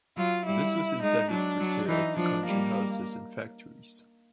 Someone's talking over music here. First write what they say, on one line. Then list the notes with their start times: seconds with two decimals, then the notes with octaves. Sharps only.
This was intended for sale to Country Houses and factories.
0.17 F#3 F4
0.45 G3 E4
1.02 G#3 D#4
1.31 F#3 D4
1.60 F#3
1.89 E3 D#4
2.17 F3 D4
2.46 G3 A#3